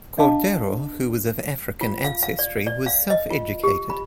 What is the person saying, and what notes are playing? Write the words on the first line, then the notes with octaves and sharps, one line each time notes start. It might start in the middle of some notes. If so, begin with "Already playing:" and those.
Cordero, who was of African ancestry, was self-educated.
D4 D#5 F5 A5 D6
F4
F5
F5
D5
D5
F5
D#5
F4
G4
B5